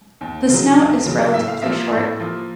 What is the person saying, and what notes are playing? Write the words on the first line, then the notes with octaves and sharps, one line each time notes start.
The snout is relatively short.
D#2
C#3 F#3
D#2
C#3 F#3
A2 E5
F5
F3 A#3 E5
A2
F3 A#3